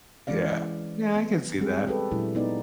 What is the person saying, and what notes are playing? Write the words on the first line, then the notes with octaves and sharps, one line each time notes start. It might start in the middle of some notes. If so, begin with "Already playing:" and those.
Yeah. Yeah, I can see that.
E3 G#3 C#4 D5 F5
B3
G3 G#3 C4 G4 G#4
G4 A4 B4
A#2 F#3 G#3 C#4 D4 E4
B3 D#4 D5